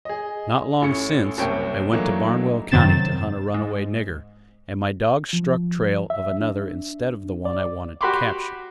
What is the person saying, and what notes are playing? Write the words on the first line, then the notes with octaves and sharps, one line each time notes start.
Not long since, I went to Barnwell county to hunt a runaway nigger, and my dogs struck trail of another instead of the one I wanted to capture.
G#4 D#5
A1 A2 C#4 C#7
F#1 C2 C3 C#5 G5
E3 F#3 A3 A#3 D4 D#4
F#2 C3 D#3 C4 A6 E7
G#2
F3
E5
D4
D5
F#4 G4 B5 C6 D6